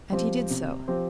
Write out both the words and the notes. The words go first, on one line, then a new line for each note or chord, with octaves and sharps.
And he did so.
F3 C4 G4
C3
F3 C4 G4